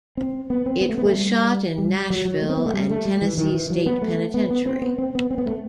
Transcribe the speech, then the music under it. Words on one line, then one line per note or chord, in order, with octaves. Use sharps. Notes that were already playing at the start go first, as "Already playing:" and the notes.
It was shot in Nashville and Tennessee State Penitentiary.
C4
B3
C4
B3
A3
B3
A3
G3
G3
F#3
F#3
A3
C4
B3
A3
G3
A3
G3
E3
D#3
E3
F#3
B3
A3
B3
B3
C4
B3
C4
B3
C4
B3
A3